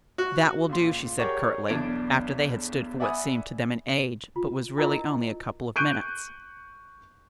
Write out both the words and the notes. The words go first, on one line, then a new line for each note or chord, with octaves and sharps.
"That will do," she said curtly, after they had stood for what seemed to them an age, but was really only a couple of minutes.
F#4
C#2 A#2 C6
G4 G#4 A#4 C#5 D5 F#5
B1 E2 D4 G#6 D7
D5 E5 F#5 G#5 B5 D#6
F4
D4 E4 F4 G#4 A#4 D#5
C#6 F#6 G6 D7 D#7